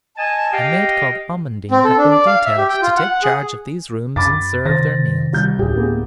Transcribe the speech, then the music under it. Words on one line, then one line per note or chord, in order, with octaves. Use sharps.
A maid called Amandine had been detailed to take charge of these rooms and serve their meals.
D#5 G#5 A5
G4 D#5 F5 G5
C4
A4
D4
D5
F5
E5
G4
G5
F4
F#5
F#5
G#4
F#2 B5 D6 A6
C3 D#3 C5 A6 A#6
C2 G6
D2 A2 G4 G#4
A#3 B3 G#4